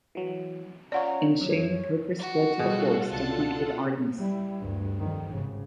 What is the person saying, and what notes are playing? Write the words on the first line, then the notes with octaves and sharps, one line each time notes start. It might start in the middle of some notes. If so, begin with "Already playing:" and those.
In shame Procris fled to the forest, to hunt with Artemis.
E3 F#3
C#4 F4 C#5 D5 F#5 A#5
F#2 C#5
F#4
B2 G3 F4 G#4 A4 F#5
C#2 D4 A5
G3 E4
D2 G2
F2 D#3
G#1 C#3